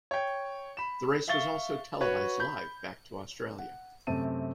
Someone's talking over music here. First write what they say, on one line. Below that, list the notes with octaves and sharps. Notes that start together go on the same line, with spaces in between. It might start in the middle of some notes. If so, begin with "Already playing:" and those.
The race was also televised live back to Australia.
C#5 G5
B5 E7
E5 F5 C#6 A6 G7
F#4 B4 C#5
B5 G6
F#5
F#2 C3 A3 C4 A5 D#7